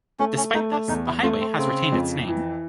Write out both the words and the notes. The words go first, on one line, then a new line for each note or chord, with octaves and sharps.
Despite this, the highway has retained its name.
A3 C#4
C#4
A3 D#4
D4
E2 D#4
E4
A3 F4
C4
C#3 C4
F2
E3